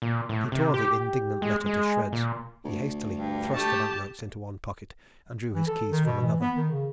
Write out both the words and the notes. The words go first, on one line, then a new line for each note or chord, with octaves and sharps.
He tore the indignant letter to shreds; he hastily thrust the bank-notes into one pocket and drew his keys from another.
A#2
A2
C3
G4
G#3
G#3
A#2
D2
G2
A3 G4 A5
E3
A4
D#3
B2
E3
B3
D#3
C#3